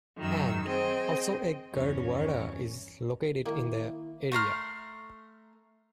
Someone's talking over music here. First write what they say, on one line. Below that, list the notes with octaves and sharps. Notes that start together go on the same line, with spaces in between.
And, also a Gurdwara is located in the area.
F#2 D#3 F#3 E6
C4 G#4 C5 D#5 G5
E2 G2 C#4
D#3 A#3 E4
A3 A#5 C6 F6